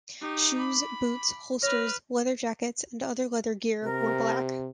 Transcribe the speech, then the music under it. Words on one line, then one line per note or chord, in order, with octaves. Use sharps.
Shoes, boots, holsters, leather jackets and other leather gear were black.
D#4 G4
B5 D6
B4 C#5 F6 A#6
C3 A#4